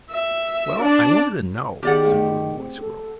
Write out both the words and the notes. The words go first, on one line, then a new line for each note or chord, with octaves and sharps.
"Well, I wanted to know," said the little boy squirrel.
E5
D4
D#3 B3 G4 G#4 D5 F#5
A3 B3 G#4
C4
A4